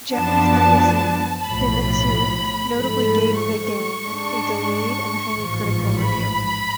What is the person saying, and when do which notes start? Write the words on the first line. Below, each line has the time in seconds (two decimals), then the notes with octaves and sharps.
Japanese magazine "Famitsu" notably gave the game a delayed and highly critical review.
0.14 F#2 F3 B3 D4 A5
1.44 B1 A2 F3 B5
2.74 G#2 F3 A3 B5
3.40 C#6
4.06 G#2 G#3 D4
5.36 A1 G#2 F3
6.01 B5